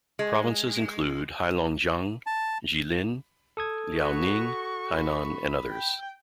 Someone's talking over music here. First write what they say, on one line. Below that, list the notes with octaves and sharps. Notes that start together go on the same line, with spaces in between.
Provinces include Heilongjiang, Jilin, Liaoning, Hainan, and others.
G#3
A5
A4 D#6 G#6
F#4 B4 C#6
B5
G5